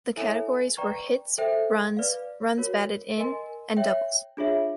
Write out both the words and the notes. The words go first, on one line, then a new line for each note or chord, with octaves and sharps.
These categories were hits, runs, runs batted in, and doubles.
E4 A4 C#5 E5 G#5
B4 D5 G5 A#5 C#6
A4 C5 E5 G5
B4 D5 F5
F#4 A#4 C#5
A#4 D#5 G#5 C6
C#5 E5 G5
D4 F4 G#4 C#5 E5